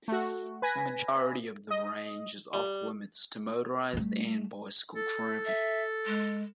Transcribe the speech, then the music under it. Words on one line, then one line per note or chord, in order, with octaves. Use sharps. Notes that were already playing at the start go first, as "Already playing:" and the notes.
The majority of the range is off-limits to motorized and bicycle travel.
A3 F#4
B4 G#5 A#6 B6
D#5
G3
G3 A3
A4
E5
G#3